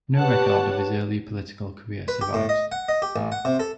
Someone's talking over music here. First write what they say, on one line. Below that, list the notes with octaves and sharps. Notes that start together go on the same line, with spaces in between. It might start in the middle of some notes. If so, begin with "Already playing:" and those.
No record of his earlier political career survives.
G4 B4 C#5 F#5 A5
B4
G4
A2
D#5
F#5
D#5
G4
A1
F#5
C3
A4